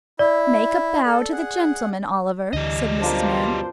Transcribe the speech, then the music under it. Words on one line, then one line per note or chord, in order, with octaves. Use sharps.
'Make a bow to the gentleman, Oliver,' said Mrs. Mann.
E4 D5 E5
A4
G#4 F#5
D2 D3 E3 G3 D#5
F#2 B2 D4 F4 A#4 C5